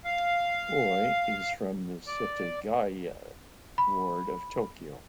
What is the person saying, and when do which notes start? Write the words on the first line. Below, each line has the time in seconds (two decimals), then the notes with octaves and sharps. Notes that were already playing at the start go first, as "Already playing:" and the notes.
Oi is from the Setagaya ward of Tokyo.
0.05 F5
2.07 D5
3.78 B5